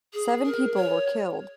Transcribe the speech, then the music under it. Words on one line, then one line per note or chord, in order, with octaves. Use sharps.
Seven people were killed.
G#4
A#4
C#5